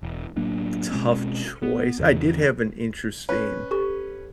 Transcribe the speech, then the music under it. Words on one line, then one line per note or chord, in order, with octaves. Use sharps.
tough choice. I did have an interesting
E1
A2 F#3 A#3 D4
B2 G#3 C4 C#4
B3
E2 C#3 E3
C#4 B4
G4 A4 C#6